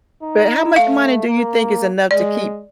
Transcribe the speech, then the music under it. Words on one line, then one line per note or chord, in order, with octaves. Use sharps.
But how much money do you think is enough to keep,
D#4
A3 F5
A#3
G#3 D5